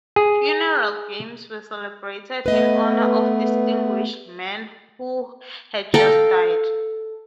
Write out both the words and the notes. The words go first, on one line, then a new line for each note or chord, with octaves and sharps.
Funeral games were celebrated in honor of distinguished men who had just died.
G#4
A3 B3 B4 D#5
A4 F5 G5 A#5